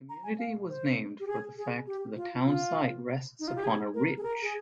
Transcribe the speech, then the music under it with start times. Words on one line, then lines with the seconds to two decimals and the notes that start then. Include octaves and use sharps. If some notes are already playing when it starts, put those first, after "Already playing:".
The community was named for the fact the town site rests upon a ridge.
0.09 A#5
0.23 G#5
0.39 F5
0.68 C5
1.20 G4
1.27 G#4
1.57 G#4
1.87 G4
2.16 F4
2.46 F4
3.40 D#4
3.48 F4
3.56 G4
3.64 G#4
3.94 A#4
4.17 G#4
4.23 A#4
4.42 G#4